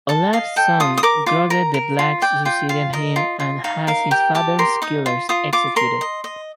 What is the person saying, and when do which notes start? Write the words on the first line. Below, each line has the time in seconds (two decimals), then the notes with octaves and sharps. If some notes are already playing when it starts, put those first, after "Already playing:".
Olave's son Godred the Black succeeded him and had his father's killers executed.
0.09 A4 A5
0.33 D#5 F5
0.56 A4 G5
0.80 F4 D#6
0.98 D#6
1.03 A#4 D6
1.26 F4 D6
1.50 A#4 A#5
1.74 A#4
1.99 F4
2.22 D5 G5
2.45 F4 G5
2.69 F4 F5
2.93 A#4 D#5
3.16 F4
3.40 F4
3.64 D#4 F5
3.87 A#4 F5
4.11 G4 G5
4.35 G4 A5
4.59 A#4 C6
4.82 D#4 D#6
5.06 F4
5.29 F4 D#6
5.53 F4 D6
5.76 A#4 C6
6.01 D#5
6.24 D#5